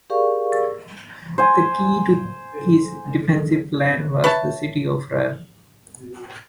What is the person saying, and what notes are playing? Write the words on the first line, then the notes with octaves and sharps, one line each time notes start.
The key to his defensive plan was the city of Raab.
G4 G#4 A#4 D5 F5 C#6
C5 G#5
B4 C#5 E5 A5